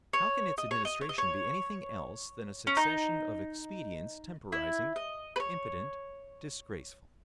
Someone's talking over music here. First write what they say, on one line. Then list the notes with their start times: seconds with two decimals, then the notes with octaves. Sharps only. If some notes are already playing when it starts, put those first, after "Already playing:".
How can its administration be any thing else than a succession of expedients temporizing, impotent, disgraceful?
0.13 C#5
0.58 D#5
0.71 C#5
0.85 D#5
1.01 C#5
1.09 D#5
1.18 C#5
2.67 C#4
2.77 D#4
4.52 E4
4.96 D#5
5.36 B4
5.40 C#5